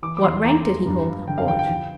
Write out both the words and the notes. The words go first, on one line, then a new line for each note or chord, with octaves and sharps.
"What rank did he hold on board?"
E3 D6
D6
E2 C6
E3 A#5
E2
G2
F3
D3 G5
F5
F3 G5
G5
F3